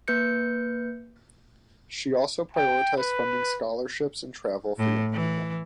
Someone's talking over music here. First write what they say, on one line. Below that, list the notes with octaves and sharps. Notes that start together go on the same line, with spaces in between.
She also prioritized funding scholarships and travel for young people.
A#3 B4 G6 C#7
G5
B4
A2
E3